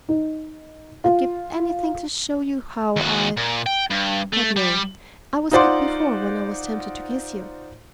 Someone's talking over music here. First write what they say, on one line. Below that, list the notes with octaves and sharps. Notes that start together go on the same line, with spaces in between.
I'd give anything to show you how I--but no. I was good before, when I was tempted to kiss you.
D#4
F4
D#2 F#4
A#2
G5
G2
A3
G3
D#4 F4 C5 D5 F#5 C6